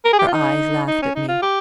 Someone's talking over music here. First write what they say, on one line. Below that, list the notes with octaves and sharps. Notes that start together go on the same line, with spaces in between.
Her eyes laughed at me.
A#4
G#4
G4
F4
D#4
D#4
C#4
D#4
F4
G4